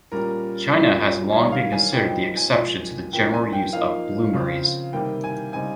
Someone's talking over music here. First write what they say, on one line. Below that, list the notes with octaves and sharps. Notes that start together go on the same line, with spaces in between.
China has long been considered the exception to the general use of bloomeries.
A#2 G3 C#4 A#4
A#2 G3 C#4
D#3 G3 A#3 C#5
F5
G#5
A#2 G3 C4 D#4 G5
G5
G#5
A#2 F3 G#3
A#2 F3 A#3 C#4 G5
G#5
G5
F3 A#3 D#4 F5
C#3 F3 C4
C3 D#3 G3 A#3 G5
G#5
C#3 G3 C4 D#4 G#5